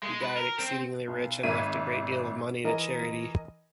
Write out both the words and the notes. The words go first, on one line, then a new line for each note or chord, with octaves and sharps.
He died exceedingly rich and left a great deal of money to charity.
G#3
B4
A#4
C4
B1
G#1 A#3 E5 G#6 B6 D#7
E3 A#4 D#5